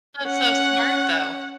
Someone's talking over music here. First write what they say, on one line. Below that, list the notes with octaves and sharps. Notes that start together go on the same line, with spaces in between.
That's so smart, though.
C#4 F#5